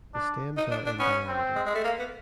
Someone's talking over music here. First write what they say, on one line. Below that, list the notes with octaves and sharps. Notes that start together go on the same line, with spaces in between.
The stems are in diameter.
D4
D#4
D4
D4
B3 C#4
C4
G#3
G#3
A3
A#3
B3